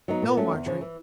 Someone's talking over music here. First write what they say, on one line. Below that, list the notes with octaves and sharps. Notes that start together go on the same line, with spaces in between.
No, Marjorie.
F#3 B3 D#4
A#2
F#3 A3 C#4
E2
C#3 F3
E3